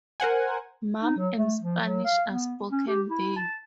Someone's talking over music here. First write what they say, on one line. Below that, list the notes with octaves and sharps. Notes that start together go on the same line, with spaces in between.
Mam and Spanish are spoken there.
A#4 C5 F#5 G#5
D#4
F#3
A3
F3
F#3
F5
B3
C#4
G4
E4
A5